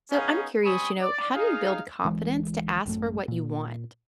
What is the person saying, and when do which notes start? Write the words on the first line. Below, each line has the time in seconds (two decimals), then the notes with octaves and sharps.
So, I'm curious, you know, how do you build confidence to ask for what you want?
0.11 B3 C#4 D#4 G#4 F5
0.63 G3 C4 G#5 B5 C#6 D#6
1.00 D5
1.34 D#4 G#4 F5
2.05 D1 E3 G#3
2.85 A1 F#2 A3
3.28 A#2